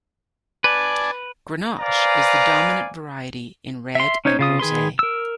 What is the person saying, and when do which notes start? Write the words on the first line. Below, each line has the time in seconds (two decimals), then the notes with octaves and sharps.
Grenache is the dominant variety in Red and Rosé.
0.64 B4 D5 G#5 A5
1.80 B4 C5 D5 F5 G#5 A#5
3.95 E5 C6
4.25 C#4 D#4 C5 C#5
4.39 C#3 F4 D#6
4.59 D#3 G#4 B4 C6
4.99 A#4 E6